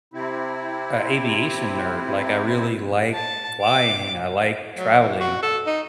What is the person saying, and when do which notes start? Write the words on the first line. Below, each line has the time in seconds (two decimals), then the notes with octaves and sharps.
a aviation nerd, like, I really like flying, I like traveling.
0.14 C3 C4 E4
3.14 A5
3.62 D6
4.78 F#3
4.99 E3
5.20 F#4
5.43 A4
5.66 D#4